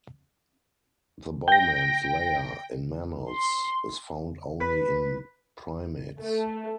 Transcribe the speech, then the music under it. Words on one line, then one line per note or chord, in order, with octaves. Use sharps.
The Bowman's layer, in mammals, is found only in primates.
G5 A#6
C6
B4
A3